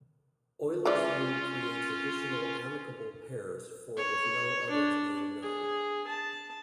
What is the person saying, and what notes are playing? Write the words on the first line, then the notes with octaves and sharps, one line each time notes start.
Euler's rule creates additional amicable pairs for with no others being known.
E3 G#3 C#4 F4 D5
C#5
D4
G#4
A5